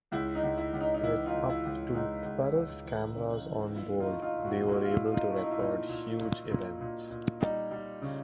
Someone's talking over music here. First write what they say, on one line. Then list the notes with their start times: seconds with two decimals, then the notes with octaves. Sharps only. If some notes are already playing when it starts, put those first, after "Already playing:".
With up to twelve cameras on board they were able to record huge events.
0.12 C#2 E4
0.35 D#4
0.43 C#2
0.58 E4
0.73 C#2
0.81 D#4
0.94 D#4
1.04 E3 E4
1.26 D#4 F4
1.34 C#2
1.50 E4
1.65 C#2
1.94 C#2 D#4
2.24 C#2
2.55 C#2
2.85 E3
3.16 C#3
3.46 E3
3.76 A#2 E4
4.00 D#4 F4
4.08 A3
4.22 D#4 F4
4.38 A#2
4.45 E4 F#4
4.67 A#2 E4 F#4
4.83 F4
4.91 E4
4.98 A#2
5.13 D#4 F4
5.29 A3
5.37 E4
5.43 D#4
5.51 E4
5.58 A#2 D#4
5.89 A#2
6.20 A#2
6.50 A#2
6.81 A#2
7.11 A#2
7.41 G3 D#4
7.71 G3
8.02 C#3